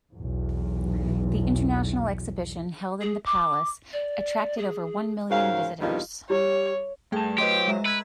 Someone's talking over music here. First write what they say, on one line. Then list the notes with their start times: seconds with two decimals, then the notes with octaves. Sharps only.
The International Exhibition held in the Palace attracted over one million visitors.
0.13 B1 E2
3.01 G#4
3.26 D6
3.93 D5
4.58 G#4
5.31 G#2 C#3 F#4 A#4 C5 F5
5.81 E2 G2 C3 A#3 D#4 F4
6.30 G3 C#5
7.12 G2 A3 G#4 G5 A5
7.38 F#3 G4 B4 C5 D#5 C6
7.68 G#3 E5 A#5
7.86 B4 E6 G#6 B6